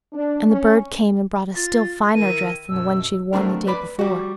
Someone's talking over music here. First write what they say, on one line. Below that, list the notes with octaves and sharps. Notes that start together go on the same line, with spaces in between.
And the bird came and brought a still finer dress than the one she had worn the day before.
D4
C#4
F4 A6
D#3 E4 A#4 D#7
F#2 B2 E6
F#3 A3 C4 D4 A#4
B4 D5 B5
G3 F#4